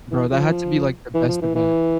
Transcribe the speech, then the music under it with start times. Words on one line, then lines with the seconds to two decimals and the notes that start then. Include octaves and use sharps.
Bro, that had to be, like, the best event.
0.11 E3
0.32 F3
1.14 E3
1.29 F3
1.42 E3
1.55 E3